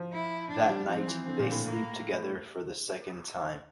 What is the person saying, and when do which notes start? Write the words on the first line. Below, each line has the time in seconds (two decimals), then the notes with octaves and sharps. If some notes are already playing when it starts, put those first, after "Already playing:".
That night they sleep together for the second time.
Already playing: F3
0.13 E4
0.50 D4
0.69 G3
0.89 F3 C4
1.07 E3
1.26 D3 C4
1.39 A#2
1.52 A2
1.65 A#3